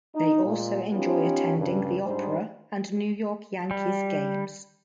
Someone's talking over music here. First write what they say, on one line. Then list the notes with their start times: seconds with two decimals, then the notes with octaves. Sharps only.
They also enjoy attending the opera and New York Yankees games.
0.15 D#4
0.44 A#2 G#3
0.93 B3 C#4 D#4 F4 G4
1.57 D2 G2 C#3
2.05 G#2 G3 D4 C5
3.71 G3